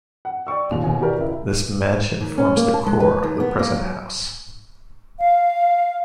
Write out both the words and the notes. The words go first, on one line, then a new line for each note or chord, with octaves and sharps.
This mansion forms the core of the present house.
F#5
D5 G5 C#6 E6
D#2 A#2 C#3 F7
D#2 B2 G#5
E4 F#4 G4 A#4 B4 D5
C#2 E4
D#2
C#4
A#3
A5
G#3
B4
D#2
B3
A#3
F#3
F5